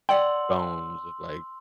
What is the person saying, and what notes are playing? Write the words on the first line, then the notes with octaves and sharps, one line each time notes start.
bones of, like,
C#5 D5 F#5 G5 C6 E6 F#7